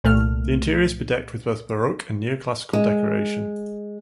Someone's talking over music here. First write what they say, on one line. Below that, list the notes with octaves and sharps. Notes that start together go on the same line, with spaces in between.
The interior is bedecked with both baroque and neoclassical decoration.
C2 A#2 A3 F6
G#3